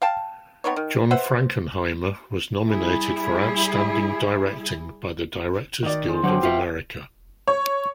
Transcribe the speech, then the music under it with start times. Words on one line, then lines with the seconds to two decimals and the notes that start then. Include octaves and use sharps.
John Frankenheimer was nominated for Outstanding Directing by the Directors Guild of America.
0.02 F5 G5 A5
0.64 B3 C4 D#4 C#5
0.76 D#3
1.11 B4 C5 E5 F#5
2.69 G3 E4 G#4
5.83 D#3 D5
6.08 G#4 C5
6.23 B2 D3 F#3 F#4 G4 C5 G5
6.43 F4 E5
7.48 C#5